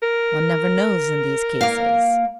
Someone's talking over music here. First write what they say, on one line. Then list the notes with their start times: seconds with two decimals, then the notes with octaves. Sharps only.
One never knows in these cases.
0.03 A#4
1.61 A#3 F5